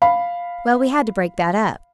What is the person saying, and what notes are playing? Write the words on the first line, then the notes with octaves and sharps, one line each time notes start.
Well, we had to break that up.
F5 B5